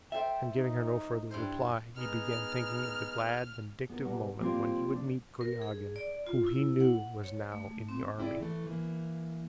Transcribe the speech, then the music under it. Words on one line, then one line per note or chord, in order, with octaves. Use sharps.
And giving her no further reply, he began thinking of the glad vindictive moment when he would meet Kuragin who he knew was now in the army.
A4 C5 E5 G5
D#4
G2 E4 C5
B3 D#4 G#4 F6
B3 A#4
B2 G3 F#5
F3 G3 A#3 C4 F4 C5
D4
A#4
G#4
D5
F4
E4
F#5
C#5
A3
C4
C4 E4 G#4 D5
E3 A3
E3 A#3